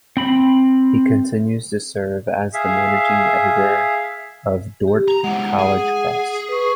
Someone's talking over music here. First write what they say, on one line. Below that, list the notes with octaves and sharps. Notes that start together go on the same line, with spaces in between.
He continues to serve as the Managing Editor of Dordt College Press.
C4 B5
G#4 E5 F5
G4
A#5
G#3 E4 F#5
G#4
B4 C#6